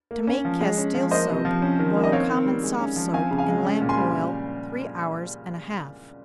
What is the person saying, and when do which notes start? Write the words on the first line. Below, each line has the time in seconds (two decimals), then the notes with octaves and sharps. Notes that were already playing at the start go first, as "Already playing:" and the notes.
To make Castile soap, boil common soft soap in lamp oil three hours and a half.
0.11 A#3
0.27 C#4
0.45 F3
0.61 G#3
0.78 C#4
0.94 F3
1.11 A#3 C5 D#5
1.29 C3
1.45 F3
1.62 C#4
1.79 D#3
1.96 A#3
2.04 D#5
2.12 C4 C#5 F5
2.29 D#3
2.46 G3
2.63 G#3
2.80 C#4
2.96 F3
3.14 C4 F5 G#5
3.31 C#3
3.38 F5 G#5
3.48 G#3
3.65 C#4
3.82 A#2
3.89 G#5 C6
3.97 G3